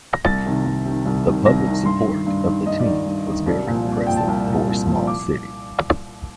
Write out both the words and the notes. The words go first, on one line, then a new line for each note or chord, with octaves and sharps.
The public support of the team was very impressive for a small city.
A#6
C2 A6
C3 D#3
C2
C3 D#3
C2
C3 D#3
C2 A#6
C3 D#3
G2 C6
D#3
G2
D#3
G2 D#5
D5
D#3
G2
D#3
C2 D5
A#2 F3
C2
D5
A#2 F3 G5
A5
C2
A#2 F3
C2
A#2 F3
D6